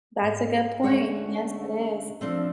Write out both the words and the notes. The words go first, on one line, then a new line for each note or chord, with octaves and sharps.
That's a good point. Yes, it is.
G#2
D2 G#3 A3 C#4 G#4 C#5 F#5
F3 A3 C4 D4